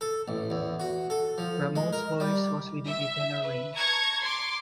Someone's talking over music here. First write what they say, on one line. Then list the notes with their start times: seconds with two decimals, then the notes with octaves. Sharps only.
Ramone's voice was within a tenor range.
0.01 A4
0.28 A1
0.50 E2
0.80 F#4
1.10 A4
1.38 F3
1.76 G#3
1.93 A#4
2.20 G3
2.86 E5
3.43 B4
3.76 A5 A#5 C#6 G#6
4.20 C6 D6